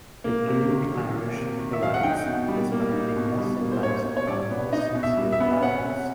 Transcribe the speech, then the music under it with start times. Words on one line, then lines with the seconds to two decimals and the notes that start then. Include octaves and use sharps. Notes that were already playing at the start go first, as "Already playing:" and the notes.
The Gaelic Irish, he writes, despite being less civilised, are more sincere Catholics.
0.24 A#3
0.48 C3
0.69 D#3
0.91 F#3
1.14 A#3
1.36 C3
1.60 D#3
1.73 E5
1.81 F#3 F5
1.94 F#5
2.03 D#4 G5
2.26 B2
2.48 G3
2.72 A#3
2.93 D#4
3.17 B2
3.38 G3
3.61 A#3
3.72 C5
3.83 D#4 C#5
4.05 B2
4.17 C#5
4.28 G3 D5
4.51 B3
4.73 D#4 D#5
4.95 B2
5.03 E5
5.17 G3
5.32 E5
5.40 B3
5.62 C#4 F#5
5.85 C3